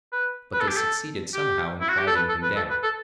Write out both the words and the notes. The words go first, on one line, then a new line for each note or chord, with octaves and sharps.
But they succeeded somehow in quieting him down.
B4
B4
A4
G4
A4
G4
E4
F#4
G4
A4
B4
A4
B4
A4
B4
A4